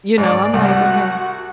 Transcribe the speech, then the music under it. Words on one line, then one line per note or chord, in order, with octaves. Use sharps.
You know, I'm like, "Okay."
G#2 D5
C2 F#4 F#5